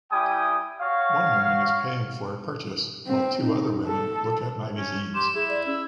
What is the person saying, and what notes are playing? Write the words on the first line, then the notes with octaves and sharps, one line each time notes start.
One woman is paying for a purchase, while two other women look at magazines.
G3 E4 G5 G#5 D#6
F#4 C#5 F5
C4
D#4
A4
C#4
G4 C6 E7
E4 G#4
D5
C#4 E6